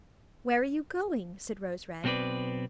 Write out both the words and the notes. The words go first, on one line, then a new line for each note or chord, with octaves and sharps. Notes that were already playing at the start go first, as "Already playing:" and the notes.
"Where are you going?" said Rose-Red.
B1 B2 C4 F4 B4 D5